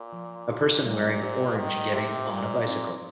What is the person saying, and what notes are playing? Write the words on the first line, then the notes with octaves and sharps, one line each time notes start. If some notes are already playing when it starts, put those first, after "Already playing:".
A person wearing orange getting on a bicycle.
Already playing: A#2
F3
D#4 G4
A#2 G3
D#4 G4 C5
D#3 G3
C3 D#4 G4 C5
A#2 G3
C4 D#4